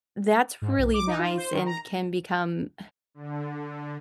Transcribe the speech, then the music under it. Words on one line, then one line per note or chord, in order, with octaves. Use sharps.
that's really nice and can become, uh,
G#2
B1
D6
D#4
F4
C5
D#3
A#5
D3